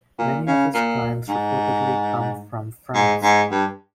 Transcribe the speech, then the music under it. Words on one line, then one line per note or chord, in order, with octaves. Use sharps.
Many of its clients reportedly come from France.
A#2
C#3
A#2
G#2
G#2
G#2
G2